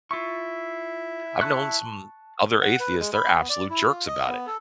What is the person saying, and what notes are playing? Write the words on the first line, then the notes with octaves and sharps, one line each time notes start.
I've known some other atheists, they're absolute jerks about it.
E4 F4 E5 C#6
A5 C#6 F#6
F#5
B4
G#3
B5
B3
D5
E4
F4
D#5
B3
A4